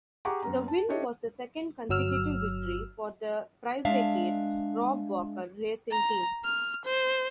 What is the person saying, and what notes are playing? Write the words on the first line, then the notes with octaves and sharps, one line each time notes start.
The win was the second consecutive victory for the privateer Rob Walker Racing Team.
G4 G#4 F#5 A#5 C#6 D6
F#2 B3 C#4 A#5
A5
D4 E4 G4 A4 C#5 D#5
G1 F#3 E6 F6
G#3 D4 E5 F5
A#5
F6
C5